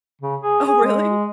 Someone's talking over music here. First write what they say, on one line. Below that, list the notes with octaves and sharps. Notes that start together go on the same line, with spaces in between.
Oh, really?
C#3
G#4
G#4
G#3